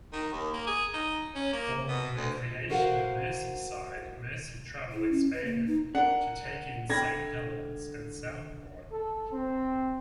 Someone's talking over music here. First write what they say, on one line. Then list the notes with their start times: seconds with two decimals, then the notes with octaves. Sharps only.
Following the creation of Merseyside, Merseytravel expanded to take in Saint Helens and Southport.
0.13 D#3
0.32 D#2
0.53 A#3
0.66 G#4
0.93 D#4
1.35 C#4
1.53 A#3
1.88 B2
2.16 D2
2.70 F#4 A#4 C5 F5 F#5
4.91 E4
5.11 C#4
5.33 B4
5.44 A#3
5.66 D#4
5.95 D4 A#4 F#5
6.90 D3 G5 B5 G#6 A#6
8.92 A4
9.32 C4